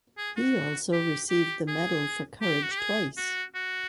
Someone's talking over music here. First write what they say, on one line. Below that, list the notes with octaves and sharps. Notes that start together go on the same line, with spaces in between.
He also received the medal "For Courage" twice.
G#4
F#4
G4
G4
G#4
G4
F#4
G4
G#4
F#4
F#4